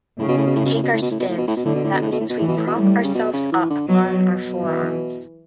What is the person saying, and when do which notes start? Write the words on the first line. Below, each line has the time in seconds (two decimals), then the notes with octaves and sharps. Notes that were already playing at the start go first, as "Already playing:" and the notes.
We take our stance, that means we prop ourselves up on our forearms.
0.19 A2 C#3
0.28 B2
0.37 A2
0.47 B2
0.56 A2
0.65 B2
0.74 A2
0.83 B2
0.93 A2
1.02 B2
1.11 A2
1.20 B2
1.29 A2
1.38 B2
1.48 A2
1.56 B2
1.65 A2 D3
1.75 B2
1.84 A2
1.93 B2
2.02 A2
2.12 B2
2.20 A2
2.29 B2
2.39 A2 E3
2.48 B2
2.57 A2
2.67 B2
2.75 A2 G3
3.04 C#3
3.15 B2
3.33 C#3
3.52 E3
3.70 D3
3.88 B2 F#3
4.62 E3